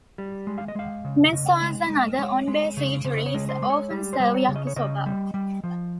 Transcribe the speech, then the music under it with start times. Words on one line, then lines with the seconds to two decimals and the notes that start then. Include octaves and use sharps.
Mess halls and other on-base eateries often serve yakisoba.
0.18 G3
0.47 G#3
0.58 F5
0.68 D#5
0.75 G#3 F5
1.05 C#3
1.33 C#3 D#5
1.62 G#3
1.90 G#3
2.19 G#3 C#5
2.48 G#3
2.77 C#3
3.05 C#3 C5
3.17 D#5
3.26 C#5
3.34 G#3
3.49 C5
3.62 G#3
3.70 C#5
3.91 G3
4.13 C5
4.20 G3
4.34 C#5
4.49 C#3
4.56 D#5
4.67 C#5
4.76 C#3 D#5
5.06 G3
5.34 G3
5.64 F3